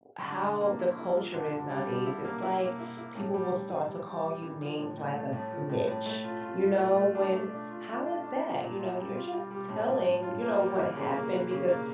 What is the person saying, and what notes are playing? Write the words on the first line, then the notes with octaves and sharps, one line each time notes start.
how the culture is nowadays. It's like people will start to call you names like a snitch, you know? When how is that? You know, you're just telling, you know, what happened because
D3
D3
A#3
E4
E4
F3
D3
D3
G3
G3
E4
A#3
E4
A#3
E4
E4
A2
G3
G3
E3
G3
G3
G3
E3
F3
A2
A2
A3
A2
F3
A2
A2
A3
F4
F4
F4
A3
A3
D4
A3
D4
F4
F4
D4
D4
F4
A#2
F4
G3
F4
G3
G3
A2
A2
A2
F4
A#3
G3
E3
C#3
A#3
E3
C#3
A#3